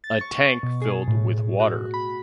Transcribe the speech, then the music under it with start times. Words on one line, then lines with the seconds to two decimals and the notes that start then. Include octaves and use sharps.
A tank filled with water.
0.04 A6
0.21 C#6
0.63 B2
0.82 G#4
1.08 A2
1.60 F#4
1.94 B5